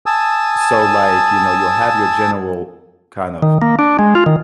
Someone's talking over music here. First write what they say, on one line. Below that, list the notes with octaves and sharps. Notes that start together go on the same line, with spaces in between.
So, like, you know, you'll have your general kind of
G#5 A5 D#6 E6
D#3
A#3
D4
G#3
F4
D#3